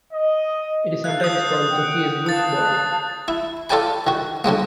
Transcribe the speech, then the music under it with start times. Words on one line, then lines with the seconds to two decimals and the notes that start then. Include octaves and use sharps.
It is sometimes called "Zocchi's Golfball".
0.13 D#5
1.04 A4 F5 F#6
1.20 D#6 G6
1.70 F#5 G5
2.26 F5 A5 D#6 F#6 A6
3.28 E4
3.70 F4 A4 D5 G5 G#5 B5
4.07 D#3 F#4
4.44 D3 F#3 G#3 A#3